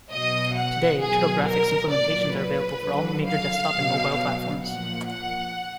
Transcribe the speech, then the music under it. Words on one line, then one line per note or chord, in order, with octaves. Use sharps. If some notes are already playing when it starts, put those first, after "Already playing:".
Today, Turtle graphics implementations are available for all major desktop and mobile platforms.
B2 F#3 D#5
F#5
B2 F#3 G#4
A#4
A#2 F#3 D5
B4
D3 F#3
F5
B2 F#3
A#2 F3 F#5
F#5